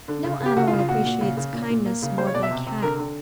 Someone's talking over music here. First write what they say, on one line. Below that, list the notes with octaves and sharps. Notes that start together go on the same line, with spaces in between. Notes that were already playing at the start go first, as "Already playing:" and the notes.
No animal appreciates kindness more than a cat.
D3
C#3
C#3
G4
C#3 F#4
F4
C#3
F4
A#2 F#4
A#2
C#3
C#3
A#2
A#2
A#3
C#3
G#3 C5
C#5
B2 D5
E5
C3
C3
D3 A#4
D3